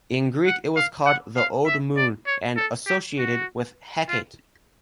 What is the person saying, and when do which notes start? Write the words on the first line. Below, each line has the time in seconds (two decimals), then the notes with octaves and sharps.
In Greek it was called the Old Moon and associated with Hecate.
0.46 F#5
0.76 F5
1.06 F#5
1.37 F5
1.66 E5
1.97 D5
2.27 C#5
2.57 A4
2.87 G4
3.18 F#4
4.09 F4